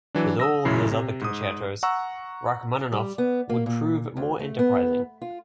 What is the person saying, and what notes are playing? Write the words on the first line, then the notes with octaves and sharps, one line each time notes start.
With all his other concertos, Rachmaninoff would prove more enterprising.
E3 F#3 D4
D#6 E6 A#6
A1 F#2 C#3 E4 C7
C3
G#2 D#6
F#5 A#5 C#6 E6
G3
B3
A#3
A#2
D2
A3
B3
F4